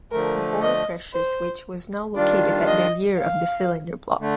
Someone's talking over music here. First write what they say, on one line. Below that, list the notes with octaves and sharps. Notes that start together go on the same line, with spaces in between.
The oil pressure switch was now located at the rear of the cylinder block.
D3 F3 A3 A#4
D#5
C5
D#3 G3 D4 F4 D5
D#5
F5
D3 A3